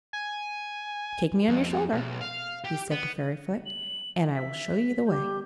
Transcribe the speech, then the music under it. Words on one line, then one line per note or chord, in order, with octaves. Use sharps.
"Take me on your shoulder," he said to Fairyfoot, "and I will show you the way."
G#5
F2
B1
F5
G4
B3
F#7
E5 B6
G3 G6